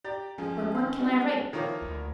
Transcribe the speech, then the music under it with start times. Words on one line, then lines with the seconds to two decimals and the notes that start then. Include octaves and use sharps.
But what can I write?
0.04 G4 D5 A#5 A6
0.38 F2 F3 C#4 G#4
0.75 D#3 F5
0.99 G3 D#4 F#4
1.53 D#3 F3 A#3 E4 A#4 C#5
1.82 D2